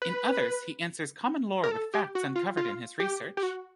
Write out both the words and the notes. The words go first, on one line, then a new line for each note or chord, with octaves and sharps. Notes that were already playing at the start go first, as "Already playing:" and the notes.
In others, he answers common lore with facts uncovered in his research.
B4
A#4
A4
G4
F#4
F4
F4
G4
G4
F#4